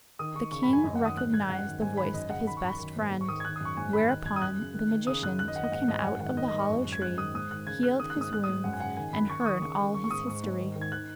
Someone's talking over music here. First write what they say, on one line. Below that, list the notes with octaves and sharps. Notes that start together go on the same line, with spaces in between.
The king recognised the voice of his best friend: whereupon the magician took him out of the hollow tree, healed his wounds, and heard all his history.
D#3 D#6
D#3 C#6
C#3 C#6
B5
F#2
G#5
F#2 D#5
F#5
D#3 D#6
G#2 F#6
G#2 G#6
F#2 F#5
D#3
G#2 G#5
D#3 B5
F#2 D#5
C#3 F#5
D#3 B5
C#6
F#2 B5
D#3
G#2
G#2
C#6
D#3 D#6
G#6
D#3 F#6
D#6
F#2 C#6
G#2 G#5
D#3 B5
D#3 F#6
F#2 G#6
D#6
F#2 F#6
C#3
D#3
D#3
C#3 D#6
F#2 F#6
D#3 F#6
D#5
D#3 F#5
D#5
G#2 F#5
G#2 D#5
G#5
F#2 F#5
D#3 F#5
D#3 D#5
D#5
G#2
C#6
F#2
F#2
G#6
G#2 F#6
D#3 D#6
G#2 D#6
D#3 F#6
C#3 G#6
C#3 F#6
D#3 D#6
F#6
G#2
D#6
G#2 F#6
D#6
G#2
F#2 F#5
G#5
C#3 F#5
D#3 G#5
F#2 B5
D#3 C#6
C#6
D#3 D#6
C#3 C#6
C#3
D#3 C#6
C#6
G#2 D#6
G#2 C#6
G#2
D#3
D#3
G#6
D#3 F#6